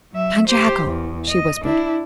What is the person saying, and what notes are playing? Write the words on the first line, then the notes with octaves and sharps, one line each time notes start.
"John Jago!" she whispered.
F#3 E5
G4 C5
E2
D#5
D4 E4